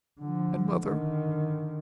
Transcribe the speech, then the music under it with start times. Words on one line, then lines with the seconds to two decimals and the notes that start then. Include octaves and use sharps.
"And mother?"
0.20 D3 F3
0.83 D3 D#3